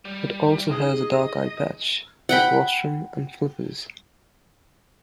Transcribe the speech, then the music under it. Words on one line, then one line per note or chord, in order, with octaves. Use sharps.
It also has a dark eye patch, rostrum, and flippers.
G3
D#4 G#4 D#5
F#5 G5 B5